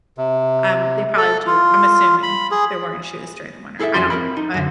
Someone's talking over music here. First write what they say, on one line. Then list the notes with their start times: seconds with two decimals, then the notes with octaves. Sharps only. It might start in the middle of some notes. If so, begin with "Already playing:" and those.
um, they probably do. I'm assuming they're wearing shoes during the winter. I don't, but
0.18 C3
1.18 A4
1.47 F4
2.23 B5
2.51 G#4
3.79 E4 G#4 A4 C#5 E5
3.94 F2 F3 C#4 F#4 C6
4.10 C4 A#4 D#5 B5
4.37 D#4
4.54 F#2 D3